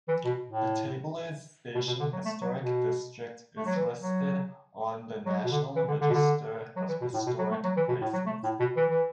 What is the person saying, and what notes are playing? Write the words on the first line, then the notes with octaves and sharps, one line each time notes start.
The Tabler's Station Historic District is listed on the National Register of Historic Places.
E3
B2
A2
B2
B2
D3
F#3
A3
F#3
B2
A3
F#3
E3
F#3
F#3
B2
D3
E3
D3
D3
B2
D3
F#3
E3
B2
A2
B2
F#3
A3
F#3
E3
B2
A2
F#3
A3
A2
B2
E3
E3